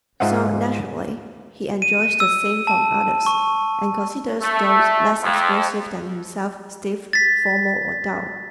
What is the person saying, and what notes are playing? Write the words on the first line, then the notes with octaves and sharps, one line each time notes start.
So, naturally, he enjoys the same from others and considers those less expressive than himself stiff, formal or dull.
G#2 F4 C5 D#5 E5 F#5
D#7
E6
A5
C#6
A3
F2
A6 B6